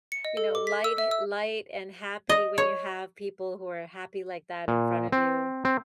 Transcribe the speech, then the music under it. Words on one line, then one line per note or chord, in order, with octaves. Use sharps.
you know, light ha light and happy when you have people who are happy like that in front of you,
C#7
D#5
A4
D6
B6
E6
E5
E6
D#5
C#5
A#2
C4
C4